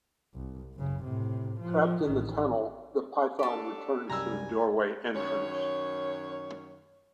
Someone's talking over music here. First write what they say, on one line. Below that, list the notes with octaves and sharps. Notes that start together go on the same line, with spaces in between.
Trapped in the tunnel, the python returns to the doorway entrance.
C2
F#1 C#3
A2 C3
F3
A1 D#3
D4 G4 A4 A5
C2 F#2 G3 G#5 A#5 E6
F#2 D#3 C#5